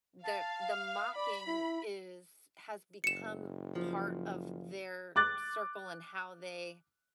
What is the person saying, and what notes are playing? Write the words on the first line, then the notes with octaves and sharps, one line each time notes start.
the the mocking is has become part of their circle and how they
F5 A5
F6
D5 B5
E4
F#1 C#7 E7
F3
D6 F#6 A6